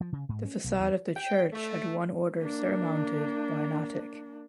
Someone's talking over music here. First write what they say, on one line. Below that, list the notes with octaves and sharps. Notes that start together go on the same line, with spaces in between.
The facade of the church had one order surmounted by an attic.
F3
C#3
G#2
C#4
B1
E2
G5
A3
A#3 D4